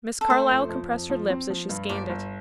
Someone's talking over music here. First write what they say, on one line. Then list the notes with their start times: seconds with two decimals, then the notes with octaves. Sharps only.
Miss Carlyle compressed her lips as she scanned it.
0.21 A4
0.30 A3 C5
0.49 F2
0.69 F2
0.90 F2
1.10 F3
1.30 C4
1.50 F3
1.69 G2
1.89 G1 D5
2.09 G1